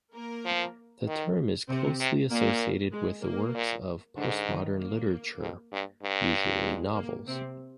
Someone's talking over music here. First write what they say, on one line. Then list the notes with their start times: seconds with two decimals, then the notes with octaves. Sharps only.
The term is closely associated with works of postmodern literature, usually novels.
0.14 A#3 A#4
0.45 F3
1.07 D#3
1.69 C3 C4
2.00 C3
2.31 A#2 A#3
2.93 G#3
3.24 A#3
3.54 A#2
4.17 G#2 D3 D4
4.47 D#3 D#4
4.78 A#3
5.40 F2
5.72 G2
6.03 G2
6.65 G#3
6.95 A#3
7.27 C3 C4